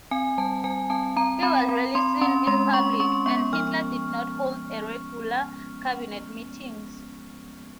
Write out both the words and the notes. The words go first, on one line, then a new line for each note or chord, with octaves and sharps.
He was rarely seen in public, and Hitler did not hold regular cabinet meetings.
C4 G#5
G3 A5
G3 G#5
C4 A5
C4 A#5
C4 B5
C4
C4 C6
C#4 C6
G#3 C6
G#3 C#6
C#4 C#6
B3 C#6
F3 F6